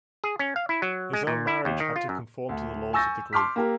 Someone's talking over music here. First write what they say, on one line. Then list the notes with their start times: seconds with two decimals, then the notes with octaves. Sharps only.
His own marriage had to conform to the laws of the group.
0.24 G#4
0.39 C#4
0.56 F5
0.69 E4
0.82 F#3
1.13 G#3
1.27 A#2
1.47 E4
1.65 D#2
1.80 D#3
1.96 F4
2.09 F#2
2.49 D2
2.93 G#5 C#6 E6 G6 A6 A#6
3.33 C6 D6 F6 B6
3.56 A#3 G4 A#4